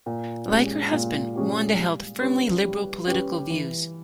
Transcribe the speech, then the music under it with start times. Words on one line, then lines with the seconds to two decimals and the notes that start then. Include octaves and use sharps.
Like her husband, Wanda held firmly liberal political views.
0.06 A#2
0.50 G#3 C#4 G4
0.92 A#2
1.36 G#3 C#4 G4
1.79 G3
2.21 C#4 G4 B4
2.63 G3
3.07 C#4 G4 B4
3.50 E3